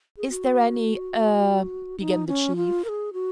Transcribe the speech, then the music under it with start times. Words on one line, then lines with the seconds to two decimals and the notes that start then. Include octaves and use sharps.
"Is there any--er--?" began the Chief.
0.17 G#4
0.30 F#4
1.99 D#4
2.27 C#4
2.56 F4
2.85 A#4
2.89 G#4
3.13 F#4